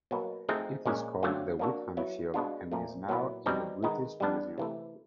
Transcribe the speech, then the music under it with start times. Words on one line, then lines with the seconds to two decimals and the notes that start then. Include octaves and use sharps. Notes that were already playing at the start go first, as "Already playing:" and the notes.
It is called the Witham Shield and is now in the British Museum.
0.11 B2 F#3 A#3
0.49 F3 A3 C4 D#4 G#4
0.86 A#2 F3 G#3 C#4
1.23 D3 F#3 A3 C4 F4
1.59 F3 A#3 D4 F#4 A4
1.97 F#3 B3 E4
2.34 B2 G#3 B3 D4 F4
2.72 A#2 F3 A3
3.09 A#2 F#3 B3 E4
3.46 B2 G3 C4 D#4
3.83 D#3 G#3 B3 D#4
4.20 G3 B3 D4
4.58 C3 E3 A3